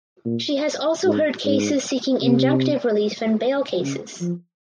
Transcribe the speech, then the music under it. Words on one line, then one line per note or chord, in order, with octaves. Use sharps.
She has also heard cases seeking injunctive relief and bail cases.
A#2
G#2
G#2
C3
C#3
F3